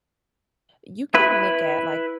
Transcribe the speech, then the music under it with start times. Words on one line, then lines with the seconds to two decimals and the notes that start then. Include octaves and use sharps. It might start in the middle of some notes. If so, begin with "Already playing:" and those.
you can look at, like,
1.15 E4 B4